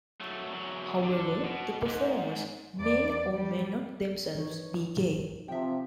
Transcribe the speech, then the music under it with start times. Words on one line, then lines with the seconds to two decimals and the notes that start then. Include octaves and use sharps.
However, the performers may or may not themselves be gay.
0.20 F#3 A3
0.52 E2 F#3
1.03 D3 D4
1.44 B2
1.86 G#2
2.77 E2 D5
3.34 G3
4.35 E3 D#4 C#5
5.48 C3 F3 E5 G5